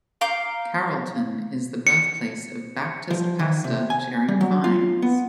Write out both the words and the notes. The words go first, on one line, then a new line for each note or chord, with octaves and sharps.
Carrollton is the birthplace of Baptist pastor Jerry Vines.
F5 A#5 D6 G6
C#7
F3
D#3
C3
G#5
G3
F#3
F4
B3